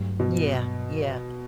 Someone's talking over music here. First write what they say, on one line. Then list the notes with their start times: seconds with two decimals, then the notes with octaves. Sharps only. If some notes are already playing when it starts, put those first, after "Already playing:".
Yeah, yeah.
Already playing: G2 F#3 A3
0.20 B2